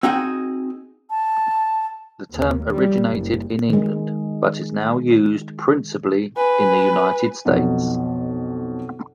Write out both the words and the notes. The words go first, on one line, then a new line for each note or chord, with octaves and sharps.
The term originated in England, but is now used principally in the United States.
C4 D#4 F#4 G#4 F#5 G5
A5
D#2
G3
F#1
D#3 G#3
B4 G#5
B1 F2 B2 D#4